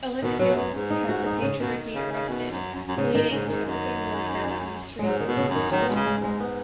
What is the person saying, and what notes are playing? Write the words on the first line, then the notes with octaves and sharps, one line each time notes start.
Alexios had the patriarch arrested, leading to open warfare on the streets of Constantinople.
B2 D#3
B2 F#3
F#2 B3
G#2
D#4
F#4
D#4
C#3
B2 D#3
C#3
C#3
B2
F#2
F#2
F#2
G#2 C#3
D#3
G#2 C#3
G#2 D#3
F#2
G#3
G#2 F#3
D#3
B2
C#3
F#2
D#3
D#3 F#3
B3
B2 G#3
C#3
G#3
G#2
G#3
B3